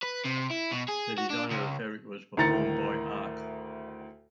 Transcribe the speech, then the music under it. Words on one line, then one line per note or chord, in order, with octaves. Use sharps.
The design of the fabric was performed by Arq.
B4
C3
E4
B2
G#4
F#4
D4
C#2
D2 A2 D#3 A#5 A6 C#7